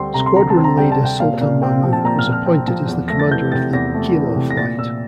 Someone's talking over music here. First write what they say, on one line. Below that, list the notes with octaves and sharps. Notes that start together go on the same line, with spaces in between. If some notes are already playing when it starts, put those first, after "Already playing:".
Squadron Leader Sultan Mahmud was appointed as the commander of the 'Kilo Flight'.
Already playing: D2 G3 C4 C6
C3 A#5
C6
D2 A#5
A5
C4
A#5
G3 G5
A5
C3
G5
A#2 F5
A#2
C4 G5
F3
A5
A#2 A#5
F6
A#2
F6
C4
F3
E2
A3 A#6
A6
E3 G6
C3 A6
E2 A#6
A3
E3
C3
A#6
A#2 A6
A#2 E6